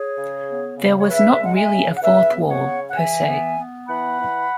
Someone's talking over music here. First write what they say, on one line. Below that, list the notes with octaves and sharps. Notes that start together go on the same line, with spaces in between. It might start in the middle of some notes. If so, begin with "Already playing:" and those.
There was not really a fourth wall, per se.
Already playing: G#4 C#5
C#3
B3
C#3
C#5
C#3 B4 E5
G#3 F#5
E5 G#5
C#3
F#5
C#3 B4 E5
B3
C#5 F#5
C#3
F#5
E3 E5 G#5
B3
B3
E3 F#5 B5
E3